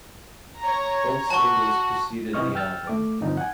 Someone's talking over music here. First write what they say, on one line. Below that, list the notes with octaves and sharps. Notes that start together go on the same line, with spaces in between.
Both singles preceded the album.
C#5 A#5
F#4 A5 C#6
C3 E3 C4 D#5 C#6 F6
G5 E6 F6 A6
A3 D6
G2 D3 F3 C4 D#4
F#5 G#5